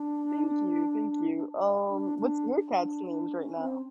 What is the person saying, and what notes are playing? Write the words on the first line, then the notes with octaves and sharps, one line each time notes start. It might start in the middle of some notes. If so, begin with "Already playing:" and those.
Thank you, thank you. Um, what's your cats' names right now?
Already playing: D4
D4
D4
D4
D4
C#4
C4